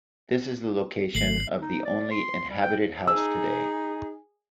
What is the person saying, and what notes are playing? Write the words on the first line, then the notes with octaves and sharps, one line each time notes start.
This is the location of the only inhabited house today.
G#1 A3 C7 F#7
D#4
D5
C6
G3
G5
D#4 G#4 E6